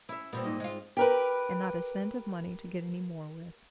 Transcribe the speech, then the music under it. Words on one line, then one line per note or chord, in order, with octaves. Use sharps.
And not a cent of money to get any more with!
C#4 E4 E5
A#2 G3 B3 C4
G#2 D#5
G#3 F4
G4 A#4 B4